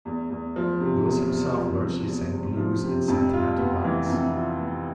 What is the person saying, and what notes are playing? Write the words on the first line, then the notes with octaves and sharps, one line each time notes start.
Wills himself largely sang blues and sentimental ballads.
E2
E2
F3
C3
E2
E2
F3
C3
E2
E2
F3
C3
F2
F4
B3
E3
F2
F4
B3